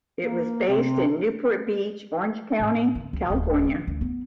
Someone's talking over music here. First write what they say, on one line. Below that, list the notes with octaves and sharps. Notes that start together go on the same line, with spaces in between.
It was based in Newport Beach, Orange County, California.
A#3
C3
A2
D3
C#2
D1
D3
D2
B3